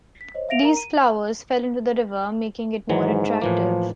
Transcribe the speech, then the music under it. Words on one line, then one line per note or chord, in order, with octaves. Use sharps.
These flowers fell into the river making it more attractive.
B6
C5 C#5 D#5
E5 F5 A#6 D7 F7
A#4 A#5
D#7
G#2 D#3 E3 F#3
A2 E3 F3 A#3